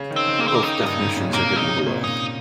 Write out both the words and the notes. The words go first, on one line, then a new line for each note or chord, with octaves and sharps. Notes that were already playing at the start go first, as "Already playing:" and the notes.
Both definitions are given below.
Already playing: C#3
D#3
C4
D#3
C#3 A#3
D#3 C4
A#3
D#3 D#4
G2
D#4
G#2
C#3
A#2
C3 A#3
C#3
D#4
C3
A#2
D#4